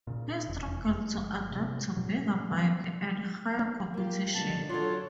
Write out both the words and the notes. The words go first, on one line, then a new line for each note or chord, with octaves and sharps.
He struggled to adapt to bigger bike and higher competition.
A#2 C#3
F1 E2
G1 G#3
A2 C3
G#2 B2 F#3 G3
F#3 G3 A#3 C4
F#3 A#3 F4 G4
B2 D3 D#3 A5
F#3 D4 F4 A4 C#5